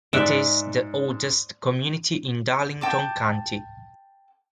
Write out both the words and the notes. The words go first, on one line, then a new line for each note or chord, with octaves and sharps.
It is the oldest community in Darlington County.
G#2 D5 E5 F#6
G5 A5 D6